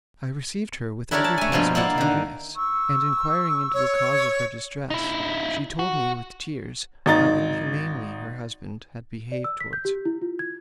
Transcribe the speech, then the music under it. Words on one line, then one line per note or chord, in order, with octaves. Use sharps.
I received her with every possible tenderness, and inquiring into the cause of her distress, she told me with tears how inhumanly her husband had behaved towards her.
D4 E4 G4 A#4 C#5 D5
A5
A3 G#5
G2 B2 F3 A#3
A#3 E4 D5 F#5
D3 D#3
C#6 E6
C#5
D#4 E4
F#4
G#1 D#4 A6
D5
E6
B6
G6
G4
E4
F4
G#6